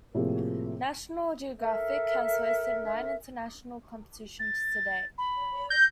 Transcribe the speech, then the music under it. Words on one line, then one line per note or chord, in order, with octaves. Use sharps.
National Geographic has hosted nine international competitions to date.
A2 C3 F3 A#3 G#4
A4 A#4 E5
A6
B5
G6 A#6